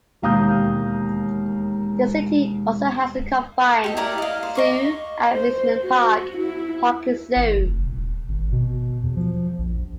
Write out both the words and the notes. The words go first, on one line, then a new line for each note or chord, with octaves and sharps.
The city also has a combined zoo and amusement park - Parken Zoo.
E1 D#2 F5 A#5 D#6 G6
G4 A4 D#5
E4 A#4 D5 F5
D#5 F5
C5
D#5 C#6 D6
C5
F#4
E4
G#1
F1
D#1
G#1
B2
E2
F3
A#1